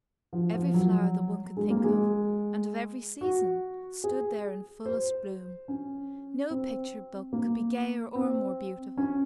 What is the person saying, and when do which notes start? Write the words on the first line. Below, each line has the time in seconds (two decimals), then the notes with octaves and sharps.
Every flower that one could think of, and of every season, stood there in fullest bloom; no picture-book could be gayer or more beautiful.
0.33 F3
0.54 F3
0.74 F#3
1.57 G#3
1.70 A#3
1.84 G#3
3.21 F#4
4.04 G#4
4.86 C5
5.68 C#4
6.51 C4
7.33 A#3
8.15 C4
8.97 C#4